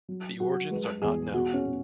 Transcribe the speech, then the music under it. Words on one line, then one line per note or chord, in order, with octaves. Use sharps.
The origins are not known.
F#3
F#3 F#4
G#3 B4
E2 G#4
B2 F#4
C#4
B2